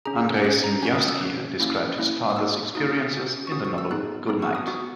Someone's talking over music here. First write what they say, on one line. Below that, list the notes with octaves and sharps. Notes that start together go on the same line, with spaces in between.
Andrei Sinyavsky described his father's experiences in the novel Goodnight!
C#4 G#4 A#5
C#4 G#4 F#6
A#5
C#4 F#4 G#5
D#6
E6
C#4 F#4 F#6
A#3 C#4 E4
A#3 C#4 E4 F#6
D#6
A#3 D#4 F#4 E6
A#3 D#4 F#4 D#6
C#4 F#4
C#6
C#4 F#4 D#6
C#6
E6
B3 D#4 G#4 F#6
B3 D#4 G#4
C#6
D#6
B3 F#4 C#6